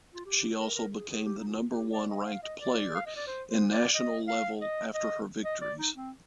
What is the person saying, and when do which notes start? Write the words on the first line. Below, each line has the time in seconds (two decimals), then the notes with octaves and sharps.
She also became the number one ranked player in national level after her victories.
0.14 F4
0.26 G4
0.59 A#4
0.75 A#4
0.93 G#4
1.09 G#4
1.25 G4
1.39 D#4
1.48 F4
1.71 G4
1.93 D5
2.10 D#5
2.26 F5
2.43 D#5
2.60 D5
2.95 F5
3.06 D#5
3.16 D5
3.27 C5
3.50 C5
3.72 D5
3.94 D#5
4.28 F5
4.61 D#5
4.94 D#5
5.45 D#5
5.61 D5
5.79 D#4
5.96 C4